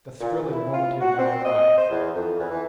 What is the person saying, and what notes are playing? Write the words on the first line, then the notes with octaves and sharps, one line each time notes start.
The thrilling moment had now arrived.
A#2
E2
E4
F4
F#4
C4
D#5
C5
E2
F2
E2
E3